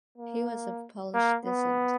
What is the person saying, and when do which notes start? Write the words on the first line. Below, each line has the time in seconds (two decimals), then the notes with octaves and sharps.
He was of Polish descent.
0.18 A#3
1.14 A#3
1.45 B3